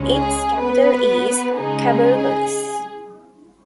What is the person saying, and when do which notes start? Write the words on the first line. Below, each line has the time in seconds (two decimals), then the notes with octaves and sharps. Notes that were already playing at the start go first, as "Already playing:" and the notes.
Its capital is Cabarroguis.
Already playing: C#2 C#3 G#3 C#4
0.11 G#4
0.59 B3 B4
1.56 C#3 G#3 D#4 G#4